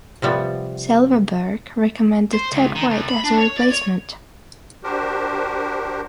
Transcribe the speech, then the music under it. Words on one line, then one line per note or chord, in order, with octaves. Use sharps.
Silverberg recommended Ted White as a replacement.
C3 F3 G3 B3
C5
C#2
D#3
C2
B5
D4
C#5
D5
C#5
D4 F#4 G4 A#4 C5